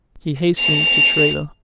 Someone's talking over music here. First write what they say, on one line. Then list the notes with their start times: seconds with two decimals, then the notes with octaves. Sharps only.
He hastened to Tredah.
0.59 F7